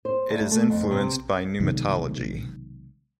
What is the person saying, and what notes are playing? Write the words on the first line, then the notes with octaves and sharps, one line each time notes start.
It is influenced by pneumatology.
C5
D2
A3
F2
C3
B1 C3 D#3 G#3